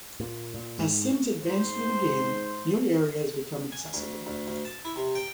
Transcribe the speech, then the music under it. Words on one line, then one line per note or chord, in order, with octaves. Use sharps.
As Sims advance through the game, new areas become accessible.
A#2
A#2
G#2
G#2 C5
G#5
D2
D2
D2
A5
E4
C3
G5